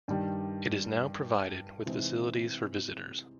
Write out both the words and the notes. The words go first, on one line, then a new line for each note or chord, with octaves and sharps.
It is now provided with facilities for visitors.
G2 D#3 G3
C3 E3 G#3 C4 D#4